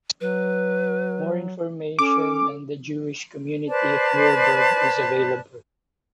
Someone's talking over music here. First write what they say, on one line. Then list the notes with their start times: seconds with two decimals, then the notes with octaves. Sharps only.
More information on the Jewish community of Yurburg is available.
0.21 F#3 B4
1.99 C#4 A4 D6
3.68 B4 C5 D5 A5